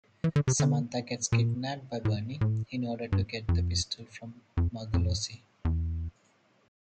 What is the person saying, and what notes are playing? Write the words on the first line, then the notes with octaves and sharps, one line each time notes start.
Samantha gets kidnapped by Bernie in order to get the pistol from Margolese.
E3
D3
C3
D3
A#2
A2
A2
G2
F2
F2
F2
E2